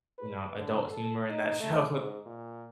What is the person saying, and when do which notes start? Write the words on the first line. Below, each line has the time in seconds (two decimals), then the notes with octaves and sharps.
you know, adult humor in that show
0.19 B4
0.58 D3
0.89 A4
1.30 D#4
1.60 A3
1.91 G#2
2.26 A#2